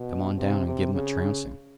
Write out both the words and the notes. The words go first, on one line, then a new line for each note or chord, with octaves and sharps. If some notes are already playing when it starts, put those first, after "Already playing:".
"Come on down, and give 'em a trouncing."
Already playing: B2
C3
C3
C#3